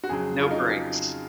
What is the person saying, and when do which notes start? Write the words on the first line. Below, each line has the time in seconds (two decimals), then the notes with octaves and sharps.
No breaks.
0.04 F#4
0.09 F2 C#3 F#3 G#4
0.41 F4
0.51 D#4